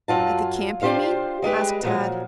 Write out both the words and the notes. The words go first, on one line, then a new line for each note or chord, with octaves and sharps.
"At the camp, you mean?" asked Tad.
F#2 F#3 F4 A5
D4 F4 G4 C5 F5
G3 G#3 G4 B4
A#2 F3 F#3